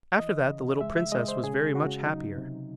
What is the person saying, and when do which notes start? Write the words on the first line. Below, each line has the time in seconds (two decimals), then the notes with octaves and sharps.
After that the little princess was very much happier.
0.19 E3 D#5
0.50 C#3
0.81 G#3 E5
0.97 E5
1.12 G#3 D#5
1.28 C5
1.44 C#3 G#4
1.75 C#3 F#4
2.06 F#3 D#4
2.38 C3